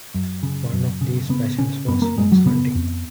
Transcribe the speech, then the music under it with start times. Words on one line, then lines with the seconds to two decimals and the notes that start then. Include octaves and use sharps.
One of these passions was fox hunting.
0.14 F#2
0.43 C#3
0.73 F#2
1.01 C#3
1.29 C#3 B3
1.58 C#3 C#4
1.88 F#2 B3
2.02 A#3
2.17 F#2 G#3
2.32 F#3
2.46 C#3 B3
2.75 F2